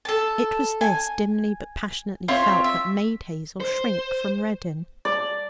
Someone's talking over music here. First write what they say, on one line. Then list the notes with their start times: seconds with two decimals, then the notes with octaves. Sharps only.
It was this, dimly but passionately felt, that made Hazel shrink from Reddin.
0.05 A4 A5
0.81 G#5
2.28 C4 F4 C#5 E5
2.64 E5
3.60 C5
5.05 D5